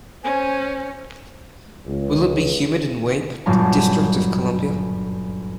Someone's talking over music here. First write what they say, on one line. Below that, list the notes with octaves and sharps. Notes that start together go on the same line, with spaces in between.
Will it be humid in Weippe District Of Columbia?
C#4 C5 G#5
C#2
G1 F#2 A#2 F#3 A#4 A5